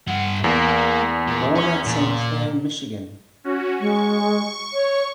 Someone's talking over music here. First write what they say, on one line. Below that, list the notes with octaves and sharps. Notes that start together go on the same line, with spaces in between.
Born at Saint Clair, Michigan.
G2 F#5
E2 A#3
A#2
C#4
A#2
C#4 F#4
G#3 C#6
C#5